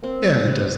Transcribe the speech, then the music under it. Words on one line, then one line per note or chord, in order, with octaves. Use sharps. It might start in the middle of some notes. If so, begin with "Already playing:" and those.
Yeah, it does.
A#3 C4
G3
D3 B3